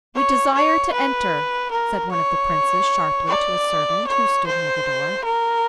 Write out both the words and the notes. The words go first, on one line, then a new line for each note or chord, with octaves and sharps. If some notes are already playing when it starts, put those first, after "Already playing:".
'We desire to enter,' said one of the princes sharply to a servant who stood near the door.
C#5
C#5
B4
A#4
C#5
D5
C#5
C5
A#4